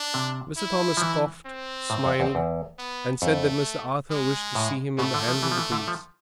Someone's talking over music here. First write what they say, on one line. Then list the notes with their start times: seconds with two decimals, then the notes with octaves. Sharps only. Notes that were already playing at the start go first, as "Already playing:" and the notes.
Mr. Thomas coughed, smiled, and said that Mr. Arthur wished to see him in the hands of the police.
Already playing: D4
0.14 C3
0.58 E4
0.97 F3
1.02 E3
1.46 C4
1.90 A2
2.05 F2
2.20 E2
2.35 E2
2.78 B3
3.22 F2 A3
4.11 G#3
4.55 A2
4.99 B2 A3
5.14 D3
5.28 F3
5.43 E3
5.51 F3
5.57 E3
5.72 D3
5.88 F3